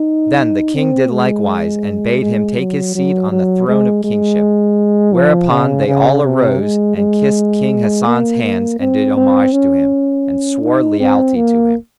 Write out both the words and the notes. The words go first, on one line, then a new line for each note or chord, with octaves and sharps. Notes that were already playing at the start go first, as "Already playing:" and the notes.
Then the King did likewise and bade him take his seat on the throne of kingship; whereupon they all arose and kissed King Hasan's hands and did homage to him, and swore lealty to him.
Already playing: D#4
C4
G#3
G#3
F#3
F#3
F#3
G#3
G#3
F3
C#3
C#3
C3
G#3
G#3
A#3
A#3
C4
C4
C#4
D#4
C4
A#3